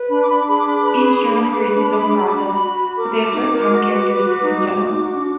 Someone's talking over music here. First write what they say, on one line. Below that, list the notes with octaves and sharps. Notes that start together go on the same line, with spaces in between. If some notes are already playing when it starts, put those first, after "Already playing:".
Each journal creates its own process, but they have certain common characteristics in general.
Already playing: B4
D4 B5
D6
D4 B5
D6
G#4 B5
D6
D4 B5
D6
B4 B5
D6
G#4 B5
D4 D6
B5
G#4 D6
B5
B4 D6
B5
D4 D6
B5
G#4 D6
B5
D4 D6
B5
F#4 D6
B5
F#4 D6
B5
F#4
F#4
A#4 D6
F#4
D#4
A#4
F#4
B4
B4
F#4
D#4
F#4
D#4
F#4
D4